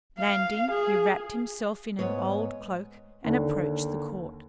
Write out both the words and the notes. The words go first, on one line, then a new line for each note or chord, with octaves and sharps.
Landing, he wrapped himself in an old cloak and approached the court.
F5
G#4
G#2 B3 C#5
D#2 D3